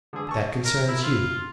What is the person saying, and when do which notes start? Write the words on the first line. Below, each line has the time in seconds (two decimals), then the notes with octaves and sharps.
That concerns you.
0.13 D3 G#4
0.29 A5 C#6
0.65 A#4
0.88 E4
1.03 F4